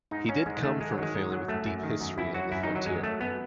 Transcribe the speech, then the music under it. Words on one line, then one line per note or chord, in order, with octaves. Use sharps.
He did come from a family with deep history on the frontier.
G#2 D#4
G#2 C#4
G#2 G#3
D#3 A3
G#2 G#3
F#3
D#3 G#3
G#2
F#3
F#2 A3
F#2
D#3
F#2
F#2 E4
F#3 F#4
F#2 E4
D#4
D#3
F#3
F#2 G#3
F#3 A3
F#2 B3